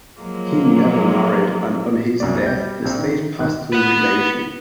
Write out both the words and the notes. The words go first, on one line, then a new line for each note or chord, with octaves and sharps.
He never married and on his death the estate passed to a relation.
F3 F#3 G#3 A#3 F4
C2 F#2 F#4 D5
G3 G6
A#1 C4
D#3
G#1 D#3 F#6
B4 F#5